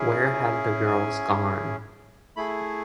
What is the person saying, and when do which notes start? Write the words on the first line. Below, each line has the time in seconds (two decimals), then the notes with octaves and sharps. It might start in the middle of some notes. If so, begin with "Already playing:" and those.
Where had the girls gone?
Already playing: C#4 E4 G#4
0.87 G#5
2.36 A3 E4 G#4 B5